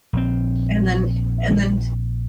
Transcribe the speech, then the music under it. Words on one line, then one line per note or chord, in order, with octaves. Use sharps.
And then and then
A#1 D#3 C4